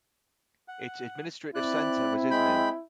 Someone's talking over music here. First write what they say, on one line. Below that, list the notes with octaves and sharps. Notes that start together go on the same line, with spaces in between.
Its administrative centre was Izmail.
F#5
C4 E4 D5 F#6
G#3 G5 B5